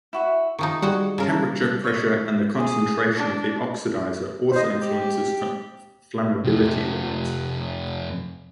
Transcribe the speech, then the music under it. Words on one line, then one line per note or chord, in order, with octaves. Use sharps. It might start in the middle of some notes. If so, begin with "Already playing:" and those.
Temperature, pressure, and the concentration of the oxidizer also influences flammability limits.
E4 F#4 E5
D#3 F3 D#4 C#6
G3 G#3 F#4 F#5
C#3 A#4 A5
C#5 D#5
G#4
D4
C5 D#5
G4
F2 C3